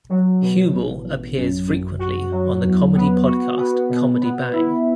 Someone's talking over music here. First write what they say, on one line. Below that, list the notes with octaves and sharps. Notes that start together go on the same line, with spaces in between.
Huebel appears frequently on the comedy podcast Comedy Bang!
F#3
B2
A1
A1
F#2
F#2
F#4
F#3
E2
B3
F#4
B3
B2
B3
E4